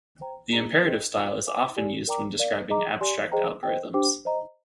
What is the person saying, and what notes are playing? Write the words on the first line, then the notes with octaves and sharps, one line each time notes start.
The imperative style is often used when describing abstract algorithms.
C5 G5 A#5
D4 G#4 C5 D#5 A#5
D#4 G#4 D#5 G5
F4 C5 G5 D6
C5 F5 G#5 D6
G4 D5 G#5
A#4 D5 G5 A#5 D6
A#4 D5 F5
G#4 D#5 A#5 D6
G4 D5 G#5 C6
G#4 C5 D#5 G5 A#5
C5 D#5 G5
D4 G4 C5 G5 D6
C5 D#5 A#5